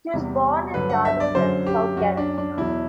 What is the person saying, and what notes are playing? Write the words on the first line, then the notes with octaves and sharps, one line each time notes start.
He was born in Darlington, South Carolina.
E2 C3 G3
G2 D3 F#3 B4
F#5
E5
D5
F#2 D3 F#3 C5
G4
F#2 F#3 F#4
D4
D4
E2 B2 F#3 E4